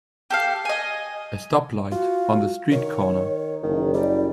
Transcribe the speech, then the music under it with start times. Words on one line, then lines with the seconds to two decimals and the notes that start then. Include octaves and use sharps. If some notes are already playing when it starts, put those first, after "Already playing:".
A stoplight on the street corner.
0.30 G4 A4 F5
0.65 D#5 G#5
1.92 F4 F#4
2.72 D#3 C#5
3.63 F#1 D#3
3.94 G3 D5